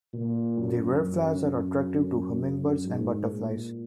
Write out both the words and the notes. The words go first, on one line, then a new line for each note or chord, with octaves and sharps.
The red flowers are attractive to hummingbirds and butterflies.
A#2
F#2
F#2
G#2
A#2